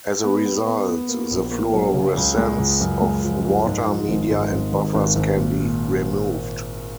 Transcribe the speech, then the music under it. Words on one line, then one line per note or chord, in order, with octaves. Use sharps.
As a result, the fluorescence of water, media, and buffers can be removed.
B3
B3
B3
B3
A#3
A#1
A#3
F#3
C#3
C#2
G#3
C#2
F#2
G#3
F3
F#2
G#2
F3
G#1
G#2
G#1
G#1
G#1
G#1
A#2
A#2